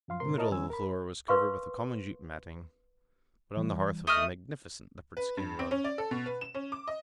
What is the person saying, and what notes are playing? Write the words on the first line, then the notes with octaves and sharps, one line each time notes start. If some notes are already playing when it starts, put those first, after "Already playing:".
The middle of the floor was covered with a common jute matting, but on the hearth was a magnificent leopard-skin rug.
F#2 F3 F5 C6
G#2 C3 C4 A#4 C6
E4 A#4 C#5 D#5 A5
D#3 G3 C#4 G#5 E6
A#4 B5
A#4 B4 F5 C6 C#6
E3 G3
A3 D#5 D#6 F6
B4
G2
C4
C#4
D5
A4
B2
B4
E7
C#4
D6
D#5